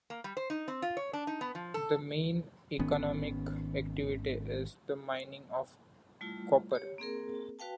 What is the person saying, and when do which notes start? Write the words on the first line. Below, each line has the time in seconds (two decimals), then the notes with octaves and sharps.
The main economic activity is the mining of copper.
0.10 A#3
0.24 G3
0.37 C5
0.50 D#4
0.68 C4
0.82 F4
0.97 C#5
1.13 D4
1.27 D#4
1.41 B3
1.55 F3
1.74 A4
2.79 G#1 D#3 B3 C#4
6.21 G3 A3 E4 F4
6.71 G4 C#5
6.98 A#3 C4 G#4 A#4
7.59 F#4 B4 F5 G5 A5